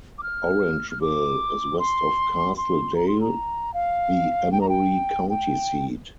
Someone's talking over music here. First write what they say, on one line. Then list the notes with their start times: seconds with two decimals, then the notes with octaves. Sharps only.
Orangeville is west of Castle Dale, the Emery County seat.
0.18 D6
0.23 F6
0.91 F6
1.01 D6
1.79 C6
2.57 C6
2.96 A#5
3.08 C6
3.21 A#5
3.74 F5
4.52 G5
4.61 A#5
4.69 G5
5.30 G5